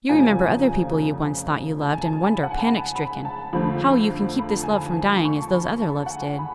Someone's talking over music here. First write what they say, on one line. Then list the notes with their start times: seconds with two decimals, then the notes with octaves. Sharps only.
You remember other people you once thought you loved, and wonder, panic-stricken, how you can keep this love from dying as those other loves did.
0.09 F1 F2 C#3 F3 A3 G#5
1.81 A5
1.93 G#5
2.05 A5
2.24 B5
2.43 F#5
2.51 G#5
2.59 A5
2.67 B5
2.95 B5
3.25 A5
3.53 F2 D3 F3 A3 B5
4.39 B5
4.51 A5
4.63 G#5
4.76 A5
5.14 B5
5.25 C#6
5.42 A5
5.54 B5
5.82 A5
6.06 F#5
6.10 G#5
6.39 B5